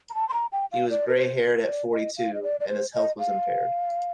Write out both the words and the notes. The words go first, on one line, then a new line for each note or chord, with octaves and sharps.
He was grey-haired at forty-two, and his health was impaired.
A#5
A5
C6
A#5
G5
F5
D5
A#4
C5
D5
D#5
F5
D#5
D5
D5
C5
D#5
F5